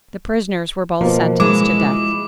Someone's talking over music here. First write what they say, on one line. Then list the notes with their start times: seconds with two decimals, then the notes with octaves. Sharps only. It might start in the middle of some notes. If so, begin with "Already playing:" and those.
The prisoners were both sentenced to death.
1.01 B2 F3 A#3
1.40 G#3 E4 D6